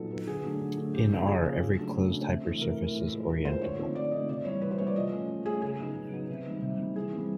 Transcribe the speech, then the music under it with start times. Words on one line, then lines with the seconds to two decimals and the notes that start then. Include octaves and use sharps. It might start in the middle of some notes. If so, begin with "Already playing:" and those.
In R, every closed hypersurface is orientable.
Already playing: A#2 F#3 B3 D#4 A4
0.10 F#3 B3 D#4
0.27 D3 G#4
0.44 F#3 A3 D4
0.61 D3
0.77 F#3 A3 D4
0.94 C#3 G4
1.11 F3 A#3 C#4
1.27 C#3 G#4
1.44 F3 A#3 C#4
1.61 C#3
1.78 F#3 A3 D4
1.95 C#3
2.11 F#3 A3 D4
2.27 C3
2.45 E3 A3
2.62 C3 A#4
2.79 E3 A3
2.94 A2
3.12 F3 G#3
3.28 A2 A#4
3.45 F3 G#3 C5
3.61 D3 C#5
3.78 F3 A3 C4 D#4
3.95 D3 D5
4.11 F3 A3 C4 D#4 D#5
4.29 C3 D5
4.45 E3 G3 C#5
4.62 C3 B4
4.71 C5
4.78 E3 G3 C#5
4.87 D5
4.96 F3 D#5
5.12 A3 C#4
5.28 F3
5.46 A3 C#4 G#4
5.62 C#3 G#4
5.78 F#3 B3 D#4
5.95 C#3
6.12 F#3 B3 D#4
6.29 C3
6.46 D#3 G3
6.62 C3
6.80 D#3 G3
6.96 E3 G#4
7.13 G3 C4